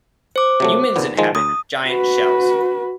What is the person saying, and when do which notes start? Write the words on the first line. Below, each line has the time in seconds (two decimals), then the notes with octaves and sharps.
Humans inhabit giant shells.
0.36 C5 D6
0.60 C3 F#3 A3
0.96 D#2 A#2 B3
1.17 D#3 F3 G#3
1.35 D2 D#6
1.86 F#4 B4